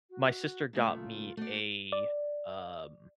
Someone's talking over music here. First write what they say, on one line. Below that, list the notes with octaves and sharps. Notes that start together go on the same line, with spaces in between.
my sister got me a, um
F#4
A#2 C#3 G#3 A3
F4
A3 F#4 D5
D5